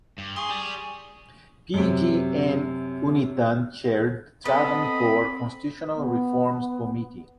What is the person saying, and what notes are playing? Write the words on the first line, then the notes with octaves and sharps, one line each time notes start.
P. G. N. Unnithan chaired the Travancore Constitutional Reforms Committee.
G2
G#4 C6 C#6 D#6
G4 D5
F#2 C3
B3 C4 A4 D#5 B5
B3